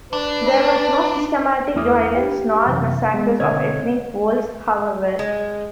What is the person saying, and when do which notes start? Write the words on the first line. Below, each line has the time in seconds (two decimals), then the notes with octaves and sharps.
There was no systematic violence nor massacres of ethnic Poles, however.
0.13 D4 B4
1.75 E2 A3 E4 D6 D#6 F6
2.14 G4 B4 G5
2.66 F#2 C3 E3
3.14 G#3 B3
3.40 B2 D3 C4 C#5 D#5 G#6
5.19 G#3